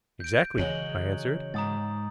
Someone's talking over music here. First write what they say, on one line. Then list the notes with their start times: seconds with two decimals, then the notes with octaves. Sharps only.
"Exactly," I answered.
0.20 G6 D7
0.58 C#3 E3 F#3 G#3 C#4 F#7 G7
1.54 G#2 A#5 D#6 A6